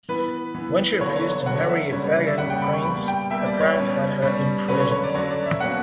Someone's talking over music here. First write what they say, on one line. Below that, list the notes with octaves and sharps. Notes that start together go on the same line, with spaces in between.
When she refused to marry a pagan prince, her parents had her imprisoned.
E3 B3 B4
E3 B3
D3 F#3 B3 C#5
C#5
C#5
D3 F#3 B3 F#5
E5
C#3 G3 A#3 C#4 C#5
C#5
D5
E5
C#3 G3 A#3 C#4 F#5
G5
B5
C#6
B2 G3 A#3 B5
G5
B2 G3 A#3 E5
D5
C#5
B2 G3 C#4
B2 G3 C#4
D3 F#3 C#4 B4
C#5
C#5
D5
D3 F#3 C#4 C#5
D5
E5
B2 F#3 A#3 C#4 F#5